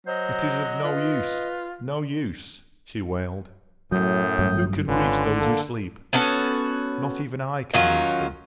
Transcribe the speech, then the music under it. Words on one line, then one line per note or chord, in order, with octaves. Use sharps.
"It is of no use--no use," she wailed; "who can reach those who sleep? Not even I can reach them."
F#3 C5 D#5
F4 B4
F#2 A2 F#3 D#6 G6
A1 G2 F#3
G#1 D3 C#4 F4 B4
A#3 A4
B3 C#4 F#4 A4
D#3 F#3 C#4 F4